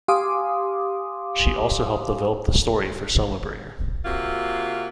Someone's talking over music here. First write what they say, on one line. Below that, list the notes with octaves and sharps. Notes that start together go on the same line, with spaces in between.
She also helped develop the story for "Soma Bringer".
G4 F5 G#5 C6 D6 D#6
C3 A#3 F4 F#4